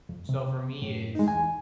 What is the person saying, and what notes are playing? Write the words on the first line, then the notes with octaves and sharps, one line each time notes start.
So for me, it's
F2
C3
F#2 A2
G#3 D#4
E2 G#5